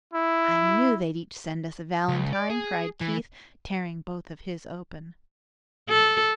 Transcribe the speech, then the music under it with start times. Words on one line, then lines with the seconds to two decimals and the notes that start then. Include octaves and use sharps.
"I knew they'd each send us a valentine," cried Keith, tearing both of his open.
0.14 E4
2.08 C#2
2.33 D5
2.50 G#4
3.01 E3
5.89 A4